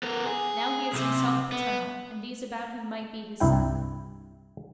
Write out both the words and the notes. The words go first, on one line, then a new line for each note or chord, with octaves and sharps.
Now he is himself paternal and these about him might be his sons.
B3 A#4
G#4
B1 C3
B3
C2 G2 E4 G5